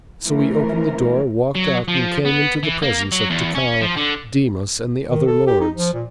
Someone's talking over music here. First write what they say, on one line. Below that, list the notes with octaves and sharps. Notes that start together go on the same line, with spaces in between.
So we opened the door, walked out, and came into the presence of Tikal, Dimas, and the other lords.
E3 F3 A3 C#4 A#4
F#3
F3
B3
E3
A#3
F#3
E2
C#4
F3
D3
D#3
A4
G4
D#4
F3
A#2